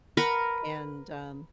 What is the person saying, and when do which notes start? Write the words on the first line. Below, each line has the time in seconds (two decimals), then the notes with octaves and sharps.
and, um,
0.17 A#4 B4 F#5 B5